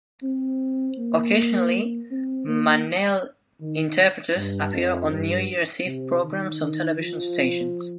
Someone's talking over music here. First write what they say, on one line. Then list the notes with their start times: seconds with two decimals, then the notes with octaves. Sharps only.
Occasionally, manele interpreters appear on New Year's Eve programs on television stations.
0.23 C4
0.98 A#3
2.11 C4
2.48 A#3
3.61 D#3
4.35 G2
4.73 F2
5.11 G2
5.86 C3
6.23 D#3
6.61 D#3
6.98 F3